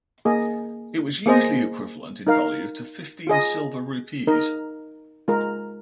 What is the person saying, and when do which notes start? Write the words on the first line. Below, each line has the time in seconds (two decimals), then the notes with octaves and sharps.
It was usually equivalent in value to fifteen silver rupees.
0.25 A#3 G#4 D#5
1.26 A#3 G#4 C5 D#5
2.27 D#4 A#4 F5
3.27 F4 G#4 D#5
4.27 D#4 A#4 D#5
5.28 G#3 F4 A#4